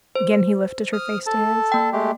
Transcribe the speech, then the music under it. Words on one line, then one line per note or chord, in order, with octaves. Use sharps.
Again he lifted her face to his.
C5
D#6 F6
A4 A5
A#3 G5
G#3 A3 G4